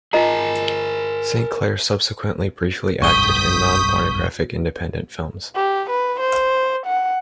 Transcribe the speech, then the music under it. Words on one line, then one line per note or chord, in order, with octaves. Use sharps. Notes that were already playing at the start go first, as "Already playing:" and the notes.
Saint Claire subsequently briefly acted in non-pornographic independent films.
F4 G#4 A#4 D#5 G#5 A#5
F1 B1 G2 C#6 D#6 G6 B6 G7
G4
B4
C5
F#5